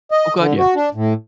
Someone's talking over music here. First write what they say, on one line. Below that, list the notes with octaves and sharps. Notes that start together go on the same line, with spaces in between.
Oh, god, yeah.
D#5
D3
F#4
D4
A2